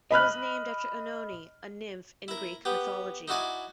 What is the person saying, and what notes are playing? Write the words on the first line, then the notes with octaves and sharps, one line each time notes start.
It was named after Oenone, a nymph in Greek mythology.
D#5 B5 F6 F#6
E4 A#4
B3 G4
D#4 E4 F#4 D5 G#5